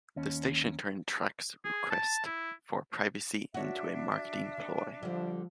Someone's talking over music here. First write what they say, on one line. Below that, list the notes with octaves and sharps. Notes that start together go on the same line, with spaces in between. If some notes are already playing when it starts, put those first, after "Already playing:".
The station turned Tracht's request for privacy into a marketing ploy.
D#2 C#4
G#4
A5
E4
D4 F#4 C#5 E5
D3 F3 G3